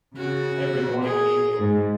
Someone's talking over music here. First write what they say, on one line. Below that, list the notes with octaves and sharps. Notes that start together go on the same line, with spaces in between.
Every morning and evening.
C#3 F#4
A#2
G#4
G#2